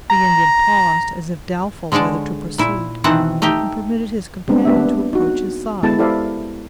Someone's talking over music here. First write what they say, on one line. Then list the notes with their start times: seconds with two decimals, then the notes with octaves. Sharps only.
The Indian paused, as if doubtful whether to proceed, and permitted his companion to approach his side.
0.10 A#5
1.92 D3 G#3 C#5 D5 A5
2.58 A#2 E4
3.04 B2 D#3 E3 C4 F#5 A5
3.42 A3 D#4 G4 G5
4.48 G3 G#3 B3 C4 D4
4.65 A#3 B3 D4 G4 E5
5.13 D#4 F#4
5.83 G#3 B3 E4 G#4 A4 A5
5.99 E4 G4 A4 C5 D5 F5